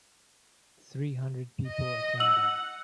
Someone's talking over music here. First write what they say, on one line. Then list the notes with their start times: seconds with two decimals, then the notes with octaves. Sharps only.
Three hundred people attended.
1.66 D#5
2.20 F#5 E6 F#7